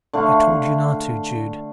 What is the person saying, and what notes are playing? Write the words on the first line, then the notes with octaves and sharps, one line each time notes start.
"I told you not to, Jude!"
D3 A3 F5